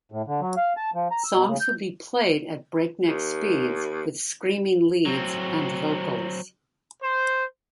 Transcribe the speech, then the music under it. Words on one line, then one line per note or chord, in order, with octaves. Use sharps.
Songs would be played at breakneck speeds, with screaming leads and vocals.
A2
D3
F#3
F5
A5
F3
A#5
E6
B2
C#3
G6
D#2
F#3 C4
C5